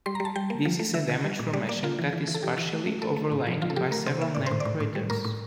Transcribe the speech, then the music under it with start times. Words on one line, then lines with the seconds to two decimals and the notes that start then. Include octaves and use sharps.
This is a damaged formation that is partly overlain by several named craters.
0.06 G3 C6
0.15 A#5
0.20 G3
0.25 A5
0.36 G3 G5
0.50 A#3
0.65 F3
0.79 A3
0.94 D3 E5
1.09 D3
1.24 G3
1.39 A#2
1.53 G3 D5
1.69 A#3 D5
1.83 A#3 F4
1.99 E3
2.13 E3
2.27 E3
2.34 A4
2.43 E3 G4
2.58 E3
2.73 A3
2.87 A3
3.02 A3 A4
3.17 A3
3.32 A2
3.47 F3
3.62 F3 F4
3.70 A4
3.76 F3 G4
3.91 A3 A#4
4.06 C3 C5
4.21 A#3 E5
4.35 A2 D5
4.46 A2 C5
4.60 D5
4.65 A2
4.80 A2
4.95 G3
5.10 A2 A#4
5.25 A2